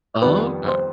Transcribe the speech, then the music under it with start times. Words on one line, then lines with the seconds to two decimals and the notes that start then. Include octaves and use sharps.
Oh, okay.
0.22 F2 D#3 G3 B3 F4 B4
0.68 C5